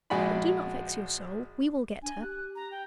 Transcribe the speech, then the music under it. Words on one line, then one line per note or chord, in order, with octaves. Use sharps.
But do not vex your soul; we will get her.
A#1 G#3 F#4 D5 G#5 B5
D4 G#5
G4 F#6
A#5
G5